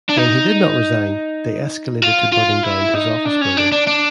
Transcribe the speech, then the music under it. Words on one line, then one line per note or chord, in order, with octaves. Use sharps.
When he did not resign, they escalated to burning down his office building.
D4
D#4
F4
F4
E4
D#4
D4
C#4
D4
D4
D4